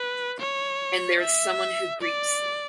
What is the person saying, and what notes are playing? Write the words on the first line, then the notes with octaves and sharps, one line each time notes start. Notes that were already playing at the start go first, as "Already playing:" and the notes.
And there is someone who greets them.
Already playing: B4
C#5
E5
D5